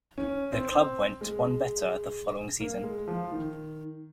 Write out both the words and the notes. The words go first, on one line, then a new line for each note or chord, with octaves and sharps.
The club went one better the following season.
C#4
C4
G#3
A#3
G#3
F3
D#3